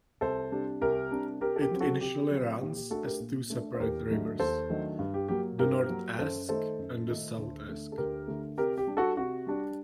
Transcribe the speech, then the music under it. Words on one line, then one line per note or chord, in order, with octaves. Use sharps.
It initially runs as two separate rivers: the North Esk and the South Esk.
C2 A4 C5
C3 G3 D4
C2 G4 A#4
C3 G3 D4
C3 G4 A#4
A4
G4 A#4
F#3 C4
F#4 A4
C3 G4
F#3 C4
A#2 G4
G4
A3 D4 F#4 A4
G4 A#4
A#2
A3 D4
C5
D#2 G4 A#4
D#3 F#3 A3 D4
D#2 A4 C5
D#3 F#3 A3 D4
G2
G4
F#3 A#3 G4
G2 G4 A#4
F#3 A#3
F#2 A4 C5
D#3 A3 D#4 A4 C5
F#2
D#3 A3 D#4
D2
D3 A3
A4
D2 G4 A#4
D3 A3
C3 G4 A#4
G4
G3 D4
F#4 A4
C3 F#4
G3 D4